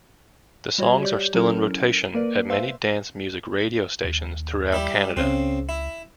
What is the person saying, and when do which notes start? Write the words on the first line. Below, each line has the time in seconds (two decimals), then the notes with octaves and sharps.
The songs are still in rotation at many dance music radio stations throughout Canada.
0.78 G3 F#4 C#5 D#5 G#6 F#7
1.02 G4 C#5 D5 G6
1.34 F#3 C#4 E4 A4 A#4 F6
1.96 D#7
2.14 A#3 A#4 B4 D5
2.49 B4 C5 E5 F5 C6 E6
4.04 D#2
4.73 G3 E4 G4
5.17 C#2 C#3 C4
5.69 E4